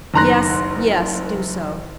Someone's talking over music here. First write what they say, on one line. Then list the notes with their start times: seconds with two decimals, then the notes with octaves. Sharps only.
"Yes, yes, do so."
0.14 F#1 D#3 A#5 C6 F#6 A#6